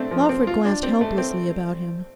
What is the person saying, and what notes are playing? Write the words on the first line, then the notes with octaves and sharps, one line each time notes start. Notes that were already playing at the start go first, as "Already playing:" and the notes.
Lawford glanced helplessly about him.
Already playing: A3 C4 D4
F3
C4
F4
D4
C4
A3
C4